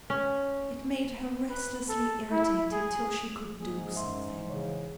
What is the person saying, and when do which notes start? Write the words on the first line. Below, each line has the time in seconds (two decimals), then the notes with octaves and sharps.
It made her restlessly irritated till she could do something.
0.10 C#4
1.50 B4
1.89 A4
2.31 E4
2.72 G#4
3.60 G#2 F3 A#3 G#4
3.96 F#2 E5 C6
4.50 C#3 E3 C#5